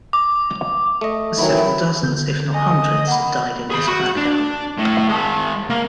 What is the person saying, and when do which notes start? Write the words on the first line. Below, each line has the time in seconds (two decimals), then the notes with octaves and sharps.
Several dozens, if not hundreds, died in this crackdown.
0.13 D6
1.01 A3 D#5
1.38 D#3 E3 F#3 E4
2.03 D3 G6
2.54 D#5 G#5
3.08 A#3 F#5 B5
3.70 G#4 B5
3.88 F#4
4.16 D4
4.78 A2
5.09 G#3 A5
5.70 A#3